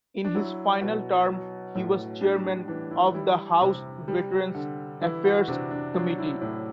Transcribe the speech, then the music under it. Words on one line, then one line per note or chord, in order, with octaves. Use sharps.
In his final term he was chairman of the House Veterans' Affairs Committee.
D4
F#3 E4
B2
F#3
A2
G3 D4
D4
E3 D4
E4
G3 E4
C3
G3
D3
E3 E4
F#4
C3 D4
D4
F#3 D4
E4
A2 E4